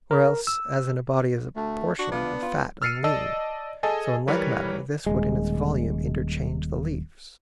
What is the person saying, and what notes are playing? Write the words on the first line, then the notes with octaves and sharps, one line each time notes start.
Or else, as in a body is apportioned The fat and lean, so in like manner this Would in its volume interchange the leaves.
A#4
E6
D2 A3
D4 F#4
E2 B3 F4 D5
F4
E6 F6 A6 C7 C#7 D#7
D5 D#5 A5 E6
G#4 A4 D#5 G#5 A5
E3 G3 A#4 B4 C#5
D#1 G#3